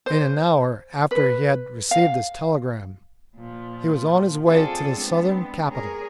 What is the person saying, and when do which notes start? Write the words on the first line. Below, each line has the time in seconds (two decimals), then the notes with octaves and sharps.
In an hour after he had received his telegram he was on his way to the Southern capital.
0.06 C5
1.11 B4
1.91 F5
3.36 A#2 F3
4.48 C4 F4 G#4 A4 C5 D5
4.95 G#3 B3 C4 D4
5.70 G#4 A#4 C#5